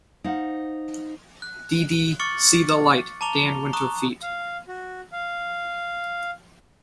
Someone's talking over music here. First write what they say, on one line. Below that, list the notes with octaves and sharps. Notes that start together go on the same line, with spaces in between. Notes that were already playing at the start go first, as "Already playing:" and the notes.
Dee Dee "See The Light," Dan Winter feat.
D#4 C5 F5 F#5
F#6
C#6 D6 F6 A6 C#7 F#7
A5 A#5 D6 F7 G7
A#5 C#6 D#6 F#6
F5
F#4
F5